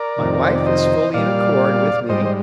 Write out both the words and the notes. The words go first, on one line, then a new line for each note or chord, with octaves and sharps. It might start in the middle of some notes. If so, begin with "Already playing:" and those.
My wife is fully in accord with me.
Already playing: A#4 D5
F2 C3 D#3
A#4
C5
D5
C5 D#5
A#2 G3 D5 F5
G#2 G3 C5 D#5
C5